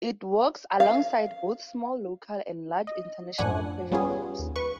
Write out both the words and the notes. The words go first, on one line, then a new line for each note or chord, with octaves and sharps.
It works alongside both small local and large international pressure groups.
F5
D#5
F#2 A2 F3 D4 F#5 G#5
G3 B3 C#4 F4 G#4
D#2
B4 C#6